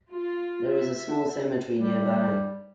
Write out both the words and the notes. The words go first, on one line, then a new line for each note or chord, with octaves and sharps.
There is a small cemetery nearby.
F4
E5
G3